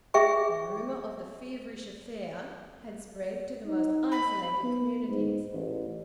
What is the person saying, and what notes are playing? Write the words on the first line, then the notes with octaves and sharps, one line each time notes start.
The rumour of the feverish affair had spread to the most isolated communities.
G#4 E5 G5 C#6
D#4
B5
B3
G#2
A1